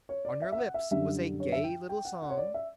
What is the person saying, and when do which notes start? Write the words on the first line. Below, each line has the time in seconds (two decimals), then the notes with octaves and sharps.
On her lips was a gay little song.
0.09 C#5
0.25 D5
0.42 E5
0.52 E5
0.58 F#5
0.74 E5
0.91 F#2 D3 G3 E5
1.40 C#5
1.52 E5
1.64 G5
1.89 G5
2.05 F#5
2.22 F#5
2.30 C#5
2.38 D5
2.54 E5